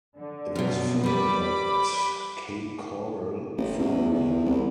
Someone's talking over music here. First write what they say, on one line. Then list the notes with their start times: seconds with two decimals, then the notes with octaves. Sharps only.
It was filmed at Cape Coral, Florida.
0.17 D3
0.56 F#2 B2
1.03 G3 B4 B5 D6
3.58 A1
3.79 E2
4.14 E2
4.45 C2